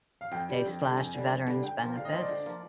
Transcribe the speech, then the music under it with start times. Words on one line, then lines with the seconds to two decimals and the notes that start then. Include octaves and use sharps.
they slashed veterans benefits.
0.21 F5
0.32 F2 G5
0.49 D3 G3
0.65 F2
0.81 D3 G3
0.97 F2 G#5
1.14 D3 G3
1.30 F2
1.47 D3 G3
1.63 D3 G5
1.80 F3 A#3 F4
1.96 D3 F5
2.05 D#5
2.12 F3 A#3 F4 C5
2.21 D5
2.29 D3
2.46 F3 A#3 F4